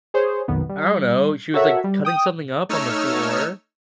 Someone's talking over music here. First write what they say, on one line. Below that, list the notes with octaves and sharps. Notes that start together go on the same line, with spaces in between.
I don't know, she was, like, cutting something up on the floor,
G#4 C5 C#5
B1 F2 B2 D#3 B3
G3
F#4 A4 A#4 C#5 E5 F#5
G3
G5 D#6
A3 D#4 C#5 E6 F6